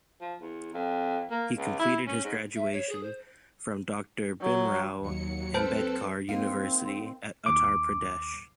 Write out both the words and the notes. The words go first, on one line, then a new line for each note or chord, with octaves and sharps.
He completed his graduation from Doctor Bhimrao Ambedkar University at Uttar Pradesh.
F3
E2
F2
A#3
C#2
E4
C#4
G#2
E5
C#5
G#4
C5
F#3
D#2 F#3 C#7
C4 A4 B4 C5 A5 G6
A#3 C4 D#4 F4
D#2 D6